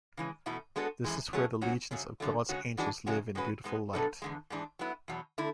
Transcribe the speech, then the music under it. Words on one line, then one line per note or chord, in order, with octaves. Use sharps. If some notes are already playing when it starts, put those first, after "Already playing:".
This is where the legions of God's angels live in beautiful light.
C#3 E3 G#3
E2 B2 A3 E4
G#3 B3 D4 F#4 A4
F#2 E3 G#3
F#3 A3 C#4 G#4
G#2 F#3 C#4 F#4
F#2 C#3 F#3 C#4
F#2 D3 F#3 A3
C#3 G#3 C#4 F#4 C#5
F#2 E3 G#3 D4 F#4
F#2 C#3 G#3 C#4 F#4
C#3 G#3 C#4 F#4 B4
G#2 G#3 B3
B2 F#3 A3 D4 A4
E2 D3 G#3
G#2 E3 G#3 D4
F#3 B3 E4
E2 B2 F#3
D3 A3 E4